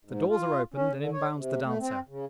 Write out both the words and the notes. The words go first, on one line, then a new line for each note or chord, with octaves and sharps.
The doors are opened and in bounds the dancer.
G#2
F4
C#4
D3
C#5
C3
A3
C4
C#3